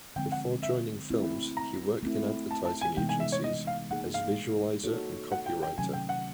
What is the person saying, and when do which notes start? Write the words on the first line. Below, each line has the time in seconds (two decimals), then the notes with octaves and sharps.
Before joining films he worked in Advertising Agencies as visualizer and copy writer.
0.16 D3 F3 G#3 C4 G5
0.32 F#5
0.63 E5
1.10 A3 C4 E4
1.57 A#5
2.03 A3 C4 E4
2.51 A5
2.65 A5
2.81 G#5
2.97 C3 E3 G#3 B3 D#4 G5
3.09 G#5
3.20 E5
3.32 C#5
3.44 D#5
3.67 F5
3.90 A#3 D#4 G#4 F#5
4.14 F5
4.84 A#3 D#4 F#4 A4 C#5
5.32 F#5
5.46 G5
5.62 G5
5.78 C3 D#3 F#3 A3 C#4 G#5
5.93 G5
6.09 F#5